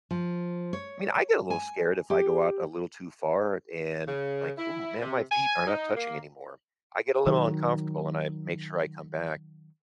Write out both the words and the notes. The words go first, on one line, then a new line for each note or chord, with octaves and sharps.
I mean, I get a little scared if I go out a little too far and like, "Ooh, man, my feet are not touching anymore." I get a little uncomfortable and I make sure I come back
F3
C#5
G#5
G4
C#3
E4
C3
G#5
D#4
A#3
D#3 F#3